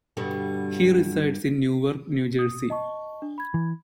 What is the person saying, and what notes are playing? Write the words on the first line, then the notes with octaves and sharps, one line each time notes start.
He resides in Newark, New Jersey.
G2 B2 D3
D#6
D#5 A5 C#6
D4
B5 G#6
E3